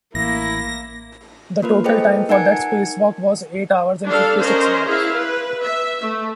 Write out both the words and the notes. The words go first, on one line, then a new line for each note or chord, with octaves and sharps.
The total time for that spacewalk was eight hours and fifty-six minutes.
A1 A#3 E4 A#6
A#3 F4 A#4 B4
G#4 A4 B4 C5 D#5 G5
D#4 A#4 F#5 G#5 G#6 C#7
G3 D4 A4 F5
C#4 A#4 C5 D#5
E4 G#4 F5
B4
E5
A3